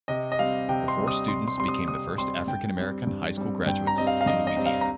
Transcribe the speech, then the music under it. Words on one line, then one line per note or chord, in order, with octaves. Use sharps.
The four students became the first African American high school graduates in Louisiana.
C3 D#5
D#5
G3 C4 F5
C3 G5
C6
G3 C4
D#6
C3 C6
C6
G3 C4 C6
D#6
C3 D#6
G3 C4 C6
G2 G5
G3 C4
G2
G3 C4
G2 G5
A#5
G3 C4 D#5
F5
F5
G2 D#5
D#5
G3 C4
F5
A#5